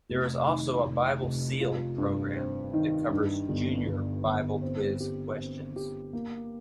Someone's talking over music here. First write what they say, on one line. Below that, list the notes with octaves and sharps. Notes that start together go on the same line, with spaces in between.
There is also a Bible Seal program that covers Junior Bible Quiz questions.
F1
D#3
F1
F1
F4
G2
C4
D#3
G2
G1
G1
G1
C4
G4
C4
G4
A#3